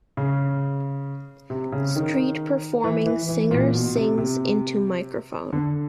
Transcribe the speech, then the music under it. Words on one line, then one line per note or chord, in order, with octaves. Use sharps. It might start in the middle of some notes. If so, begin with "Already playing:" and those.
Street performing singer sings into microphone.
C#3
C3
C#3
D#3
E3
E3
E3
A#2
B2
C3
C3
D3